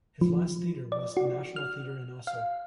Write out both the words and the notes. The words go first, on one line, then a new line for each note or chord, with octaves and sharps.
His last theater was the National Theater in Oslo.
F3
D5
F#4
F6
F5